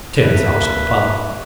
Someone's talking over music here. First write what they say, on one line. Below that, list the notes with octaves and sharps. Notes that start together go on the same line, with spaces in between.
Ten thousand pounds.
A3 A#3 G4 B4